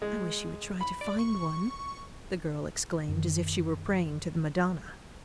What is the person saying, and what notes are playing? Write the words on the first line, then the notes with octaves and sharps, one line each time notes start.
"I wish you would try to find one," the girl exclaimed as if she were praying to the Madonna.
G#3
B5
D5
C#6
F#2 D#3